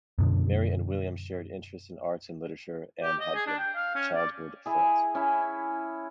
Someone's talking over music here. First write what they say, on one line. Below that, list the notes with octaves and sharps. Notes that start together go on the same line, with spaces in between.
Mary and William shared interests in arts and literature and had been childhood friends.
F#2 B2 D3
G4
D#5
G#4
D4
G5
F5
C#4
D5
E4 G#4
C#4 E4